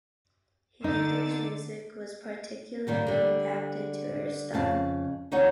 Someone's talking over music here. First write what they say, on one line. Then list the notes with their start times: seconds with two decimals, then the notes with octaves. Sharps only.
Handel's music was particularly adapted to her style.
0.84 D3 D#4 A6
2.87 G2 D#3 G3 A#3
3.07 D3 G3
4.53 F2 C#3 F5 A5
5.32 D#2 D#4 C#5 D#5 F#5